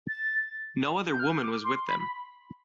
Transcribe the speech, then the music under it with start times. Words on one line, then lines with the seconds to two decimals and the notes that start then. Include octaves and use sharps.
No other woman was with them.
0.08 A6
1.12 G6
1.20 F6
1.43 D6
1.64 C6
1.87 B5